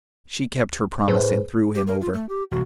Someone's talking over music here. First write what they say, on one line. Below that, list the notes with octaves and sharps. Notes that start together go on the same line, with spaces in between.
She kept her promise and threw him over.
A2 G#4 B4 C5
G4
A#4
F4
A3
G4
E1 C2 F#4